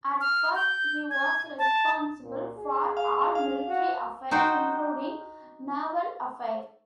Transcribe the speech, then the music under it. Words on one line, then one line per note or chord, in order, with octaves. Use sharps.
At first, he was responsible for all military affairs, including naval affairs.
F6
G6
G#6
A5
A#2
G#4
F5
F5
F#4
D#4 F#4 C5 G5